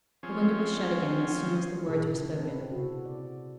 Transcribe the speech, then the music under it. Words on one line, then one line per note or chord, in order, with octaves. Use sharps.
The window was shut again as soon as the words were spoken.
F3 C4 C#4 G#4
A#2 C#3 E4 G#4 E5 A5
C4 B4
C3 F#4 A4
D5